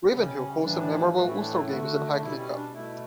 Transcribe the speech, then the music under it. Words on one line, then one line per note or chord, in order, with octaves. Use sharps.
Ravenhill hosted memorable Ulster games in the Heineken Cup.
C#3 G3 C#4
A2 E3 G3 D4
A2 E3 A3 F#4
E4
D4
E4
D3 A3 F#4
D4
B2 G3 E4
C#4
D4
B2 A3 E4